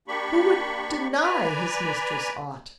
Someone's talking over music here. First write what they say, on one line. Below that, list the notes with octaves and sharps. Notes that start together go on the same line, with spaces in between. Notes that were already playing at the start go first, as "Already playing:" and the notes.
Who would deny his mistress aught?
A#3 D4 G4 B5 C#6
B4 D5 G#5 A#5 B5